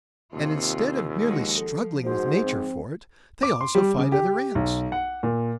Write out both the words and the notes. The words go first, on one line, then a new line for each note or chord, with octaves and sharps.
And instead of merely struggling with Nature for it, they also fight other ants.
D#2 C3 F4
F3 G#3 F#4
F3 A4
G#2 F#4 C5
C4
D6
C6
G3
C#3
G4
B1
F#5
A#2